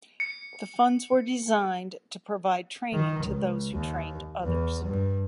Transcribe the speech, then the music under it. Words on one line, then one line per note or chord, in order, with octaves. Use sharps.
The funds were designed to provide training to those who trained others.
C#7
D#3
C#2
D#2
E2
G2